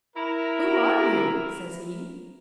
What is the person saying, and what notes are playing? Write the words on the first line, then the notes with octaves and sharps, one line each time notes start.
"Who are you?" says he.
E4 A#4